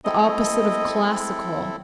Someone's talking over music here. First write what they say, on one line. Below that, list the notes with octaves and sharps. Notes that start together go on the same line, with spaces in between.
"The opposite of classical."
C4 E4 A4 D#5